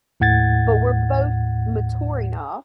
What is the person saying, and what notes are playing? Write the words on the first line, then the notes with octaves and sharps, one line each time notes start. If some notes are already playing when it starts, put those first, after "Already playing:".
but we're both mature enough
D#2 A2 F#5 G#6 A6